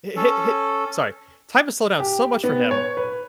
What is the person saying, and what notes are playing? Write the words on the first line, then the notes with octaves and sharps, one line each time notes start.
and hi hi sorry, time slowed down so much for him,
C#4 A4
G4
B3
C#5
B4